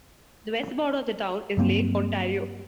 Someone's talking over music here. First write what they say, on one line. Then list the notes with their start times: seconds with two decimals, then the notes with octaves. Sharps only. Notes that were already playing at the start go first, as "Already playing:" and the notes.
The west border of the town is Lake Ontario.
1.57 G2 F#3 A#3 C4